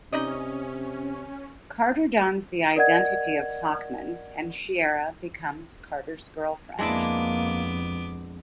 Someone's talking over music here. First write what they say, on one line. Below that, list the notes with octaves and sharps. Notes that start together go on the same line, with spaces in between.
Carter dons the identity of Hawkman and Shiera becomes Carter's girlfriend.
C3 C#4 D#4 D5 D#5
A#4 D5 D#5 F#5 G#6
F2 G#3 A#3 B3 D4 E4 D6